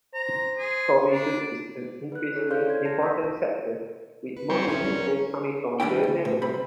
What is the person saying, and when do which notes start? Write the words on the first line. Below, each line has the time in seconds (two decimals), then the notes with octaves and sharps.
Tourism is an increasingly important sector, with most visitors coming from the Netherlands.
0.14 C5 A#5
0.58 G#4
1.09 D4
2.12 B4 F#6
2.35 D4 E4 G#4 A4 C#5
2.50 C5 D5 F5 C6 F6 G6
2.70 G#6
2.85 A5 A#6
3.02 C#6 D#6 E6 G6 B6
4.37 B4
4.50 G3 C4 C#5
4.68 B3 C#4 E4 A4
4.81 F#3 G3
4.95 A#4
5.80 D#2 G3 D4 E4 G5
6.03 D2
6.25 A2
6.42 C2 C4 B5